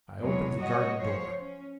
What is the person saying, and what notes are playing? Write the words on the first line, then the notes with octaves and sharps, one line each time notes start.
I opened the garden door.
E2 B2 F#3 G#3 C#5
F#3 G3 F#4 C#5 D#5
F3 C5 C#5
C#4